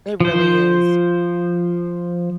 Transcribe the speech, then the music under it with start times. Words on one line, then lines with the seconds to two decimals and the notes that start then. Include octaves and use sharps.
It really is.
0.20 F3 C5